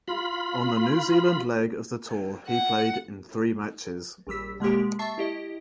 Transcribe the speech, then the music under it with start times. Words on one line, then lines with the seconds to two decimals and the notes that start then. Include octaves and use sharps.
On the New Zealand leg of the tour he played in three matches.
0.08 F4 B5
2.48 F#5
4.27 A#1 D#2 G3 E6 B6
4.60 B2 G#3 A#3 G4
4.79 G#3
4.99 E5 A5 C#6 A6 C7
5.18 E4 G4 D#5